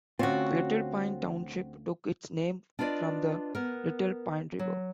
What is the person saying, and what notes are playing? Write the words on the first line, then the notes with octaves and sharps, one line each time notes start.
Little Pine Township took its name from the Little Pine River.
D2 C4 C#4 F4 F#4
D4 F4 B4 C5 D5 D#5
B3 A#4
F#3